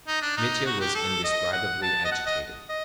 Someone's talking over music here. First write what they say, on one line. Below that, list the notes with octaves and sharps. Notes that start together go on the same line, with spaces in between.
Mitya was indescribably agitated.
D#4
D4
D#4
F#4
G4
A4
D#5
F#5
A5
D#5
F#5
D#5
D#5